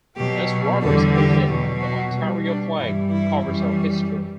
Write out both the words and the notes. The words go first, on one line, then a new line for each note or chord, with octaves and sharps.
As Robarts put it, the Ontario flag covers our history.
B2 F#3 G4
E2 D3 G3 A4
G4
B2 F#3
F#4
B2 G3
D4
G2 E3 G3 E4
E4
F#2 E3 G3